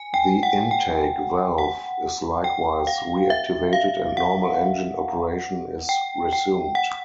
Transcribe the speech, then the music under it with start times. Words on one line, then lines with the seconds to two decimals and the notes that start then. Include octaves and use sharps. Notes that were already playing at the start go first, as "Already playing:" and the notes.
The intake valve is likewise reactivated and normal engine operation is resumed.
Already playing: G#5
0.14 G5
0.43 F#5
0.71 G5
1.58 F#5
2.44 G5
2.87 F5
3.30 E5
3.73 F5
4.17 F#5
5.89 G5
6.33 G5
6.75 F#5